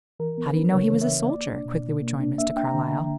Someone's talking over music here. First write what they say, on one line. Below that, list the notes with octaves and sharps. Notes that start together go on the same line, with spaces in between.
"How do you know he was a soldier?" quickly rejoined Mr. Carlyle.
E3 A#4
B3
B4
D4
C#3 C#5
E3
E5
B3
A#3 D5
D4
B2
B2
A#3
D4
A#3 E5
D4 G5
A#5
D3
D3